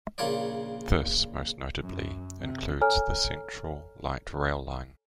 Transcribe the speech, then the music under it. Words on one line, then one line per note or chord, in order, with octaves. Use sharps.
This, most notably, includes the Central Light Rail line.
A#1 C#3 F4 A#4 C#5 D5
F#2
C3
A4 C#5 G#5 A#5 F6